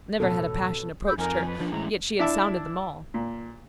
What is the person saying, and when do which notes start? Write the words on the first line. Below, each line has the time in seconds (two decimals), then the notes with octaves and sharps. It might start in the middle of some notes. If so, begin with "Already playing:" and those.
Never had a passion approached her, yet she had sounded them all.
0.20 E1 A1 B2 C#4 A4
1.06 B5 E6 G6
1.18 F2 D#4 A#4 G#5
1.46 B4
1.60 F3 D4
1.72 A1 E3 G#3 A#5
2.19 D4 E4 E5 A5
3.14 A#2